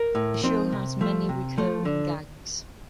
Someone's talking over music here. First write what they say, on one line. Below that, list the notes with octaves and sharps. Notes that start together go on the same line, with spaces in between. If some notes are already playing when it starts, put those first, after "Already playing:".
The show has many recurring gags.
Already playing: A#4
A2
F3 C4 D#4
C3
F3 A3
C3
F3 A3
D3